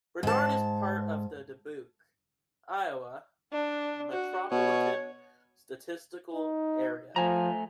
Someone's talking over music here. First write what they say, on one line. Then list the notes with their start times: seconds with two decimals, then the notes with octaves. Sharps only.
Bernard is part of the Dubuque, Iowa Metropolitan Statistical Area.
0.23 G#2 A5
3.53 D4
4.12 F#4
4.51 B2 C#5
6.34 D#4
7.16 F3 A3 G#5 A#5